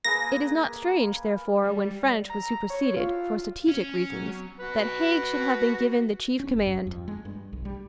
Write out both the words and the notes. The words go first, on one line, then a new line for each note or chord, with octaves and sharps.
It is not strange, therefore, when French was superseded, for strategic reasons, that Haig should have been given the chief command.
A#3 G#4 B4 A#6
G3
A#5
C#5
F4
C#4
F#3
F#4 B4
C#4
F#1
G2
F2
G#3
G2
B1
G3